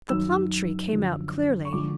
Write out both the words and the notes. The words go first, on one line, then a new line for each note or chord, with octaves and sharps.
The plum tree came out clearly.
F#2 D#3 F#3 E6
F#2 D3 F3
C#6
D3 F3 G#3 D6